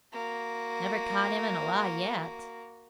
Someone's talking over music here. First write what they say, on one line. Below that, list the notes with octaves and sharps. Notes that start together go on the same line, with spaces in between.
Never caught him in a lie yet.
A#3 F#4